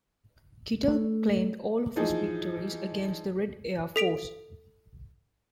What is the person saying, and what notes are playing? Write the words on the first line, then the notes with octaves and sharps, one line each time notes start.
Kittel claimed all of his victories against the Red Air Force.
A3
E3 F3 D#4 G#4
A4 B6 D7 F7